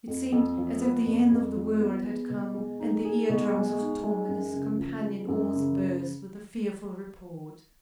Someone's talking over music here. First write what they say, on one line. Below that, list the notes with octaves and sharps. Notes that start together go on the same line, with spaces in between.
It seemed as if the end of the world had come, and the ear drums of Tom and his companion almost burst with the fearful report.
F2
F2
F3
B3
F2
F2
F3
B3
G#4
B2
G#3
D#4
G#4
B2
G#3
D#4
G#3
F#2
C#3
F3
G#3
F#2
C#3